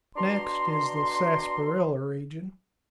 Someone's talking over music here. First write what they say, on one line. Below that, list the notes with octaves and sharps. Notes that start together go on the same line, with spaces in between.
Next is the sassparilla region.
B2 D4 A#5 C6